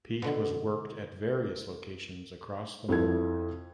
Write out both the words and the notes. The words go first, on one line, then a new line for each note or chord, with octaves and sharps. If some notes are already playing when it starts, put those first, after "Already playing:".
Peat was worked at various locations across the moor.
B2 D3
F2 E4 A4 G#6